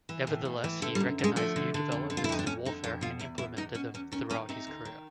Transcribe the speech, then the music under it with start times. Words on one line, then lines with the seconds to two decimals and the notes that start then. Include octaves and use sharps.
Nevertheless, he recognized new developments in warfare and implemented them throughout his career.
0.09 E3
0.27 A2
0.45 A2
0.64 E3
0.82 D3 A3
0.95 G3
1.00 F#2
1.19 D3 G#3
1.36 F3 A3
1.56 D3
1.74 D3
1.92 F2
2.10 D3
2.17 F4
2.24 E4
2.29 F2 D#4
2.39 D4
2.46 F2 C#4
2.65 D3 D#4
2.84 F2 F4
3.01 B2 F4
3.19 E2 E4
3.38 E2 E4
3.57 E2 D#4
3.74 B2 C#4
3.94 E2 C#4
4.12 D#3 C#4
4.30 D#3 C#4
4.49 C3 D#4
4.67 D2
4.85 D#3